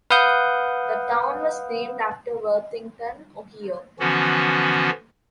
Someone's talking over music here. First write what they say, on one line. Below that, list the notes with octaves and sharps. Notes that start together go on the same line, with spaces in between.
The town was named after Worthington, Ohio.
B4 F5 F#5 D#6 G6
D3 E3 F3 B3 C#4 F#4